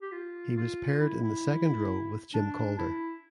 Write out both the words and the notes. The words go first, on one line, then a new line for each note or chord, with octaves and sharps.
He was paired in the second row with Jim Calder.
G4
F4
F4
E4
E4
D4
E4